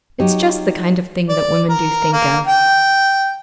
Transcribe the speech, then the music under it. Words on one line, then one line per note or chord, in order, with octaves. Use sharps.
"It's just the kind of thing that women do think of."
F#3 D#4 G4
D5
A#4
A#3
G5